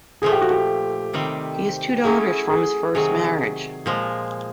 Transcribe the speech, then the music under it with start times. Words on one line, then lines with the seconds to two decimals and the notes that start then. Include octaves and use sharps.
He has two daughters from his first marriage.
0.22 A#2 F3 A3 G#4
0.33 G4
0.42 F#4
0.51 G4
1.13 C3 D#3 G3 C4
2.04 F#3 A3 C#4 E4 G#4
2.49 G#4
2.95 C3 D#3 F#3 G#4
3.86 A#2 F3 G#3